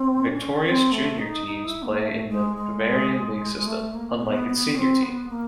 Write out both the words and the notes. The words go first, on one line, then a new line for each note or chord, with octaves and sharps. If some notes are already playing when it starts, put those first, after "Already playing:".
"Viktorias" junior teams play in the Bavarian league system, unlike its senior team.
Already playing: C4
D4
C#4
C#4
C4
A3
D#4
D#4
E4
A#3
A3
G#3
G#3
G#3
A3
A#3
B3
B3
C#4
C4
B3
A#3